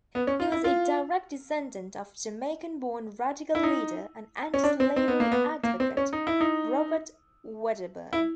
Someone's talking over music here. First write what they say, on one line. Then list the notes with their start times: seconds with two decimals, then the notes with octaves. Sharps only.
He was a direct descendant of Jamaican-born radical leader and anti-slavery advocate Robert Wedderburn.
0.15 B3
0.27 C#4
0.40 F4
0.52 E4
0.64 F4
3.55 E4
3.63 D#4
4.54 C#4
4.64 D4
4.80 C4
4.96 C4
5.08 B3
5.20 A#3
5.32 B3
5.63 A#3
5.80 C4
5.97 C#4
6.13 D#4
6.27 E4
6.41 D#4
8.13 E4